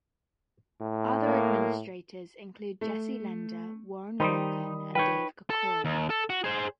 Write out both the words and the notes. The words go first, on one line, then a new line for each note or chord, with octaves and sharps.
Other administrators include Jesse Lender, Warren Wulkan, and Dave Corcoran.
A2
A#3
A3
D#3 G3 D#4 G4 C5 B5 D#6
D#4 F4 B4 C#5 G5
A4
D#2
A4
F#4
G#4 C5